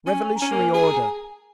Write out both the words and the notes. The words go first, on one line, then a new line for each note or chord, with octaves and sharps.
Revolutionary order.
C#4 G#5
A#5
C#4 G#5
A#3
G#4 G#5
A#5
G#5